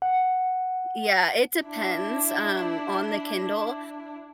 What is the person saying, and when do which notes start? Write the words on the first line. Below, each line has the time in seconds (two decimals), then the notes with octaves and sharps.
Yeah, it depends, um, on the Kindle,
0.02 F#5
1.67 D4 E4